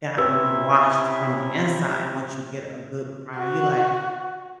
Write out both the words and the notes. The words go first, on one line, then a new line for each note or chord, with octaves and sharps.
gotten washed from the inside once you get a good cry, you're like,
C3 C#4 E4 G4 B4 C#5 E5 E6
F#4